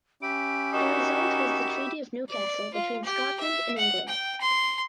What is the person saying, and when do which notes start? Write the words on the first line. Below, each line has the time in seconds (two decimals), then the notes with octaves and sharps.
The result was the Treaty of Newcastle between Scotland and England.
0.22 C#4 G4 E5 B5 D7
0.74 D#3 D#4 F#4 E7
2.30 D5
2.74 F4
3.04 G4
3.40 E5
3.78 F#5
4.08 G5
4.41 C6